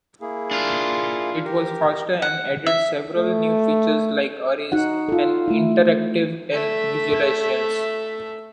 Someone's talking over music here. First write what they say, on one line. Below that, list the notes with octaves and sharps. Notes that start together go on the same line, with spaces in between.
It was faster and added several new features like arrays and interactivity in visualizations.
A#3 E4 G#4
D4 F4
G4 A#4
F#5
E5
A3
D#4 F#4 F#5
F4 A4
A3 E4
A3 E5